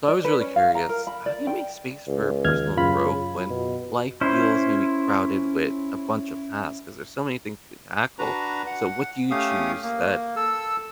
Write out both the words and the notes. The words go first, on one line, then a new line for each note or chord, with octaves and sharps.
So, I was really curious, how do you make space for personal growth when life feels maybe crowded with a bunch of tasks ’cause there's so many things you can tackle. So, what do you choose that
D5
B4
C#4
F5
A#5
A#4
B5
D5
G5
C#2
D#2 F6 G#6
F#2 C#3 F4 B5
B2
C#4 E4 C5
D4 F#4 B4 A#5
F#5
A3 C#4 G4 F5 D#6
A#3
A4 E6